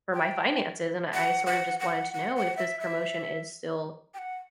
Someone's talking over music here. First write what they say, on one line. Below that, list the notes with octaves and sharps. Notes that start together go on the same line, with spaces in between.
for my finances, and I I sort of just wanted to know if this promotion is still,
G5
F#5
F#5
F#5
F#5
F#5
E5
E5
G5
F#5